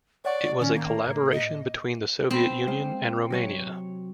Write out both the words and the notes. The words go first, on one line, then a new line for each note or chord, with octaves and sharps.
It was a collaboration between the Soviet Union and Romania.
C#5 D5 F#5 C#6
A2 D#3 C#4
A#3
A2
D#5
B3 C4 B5
G#3 C5 F5
C3 F#3 C#5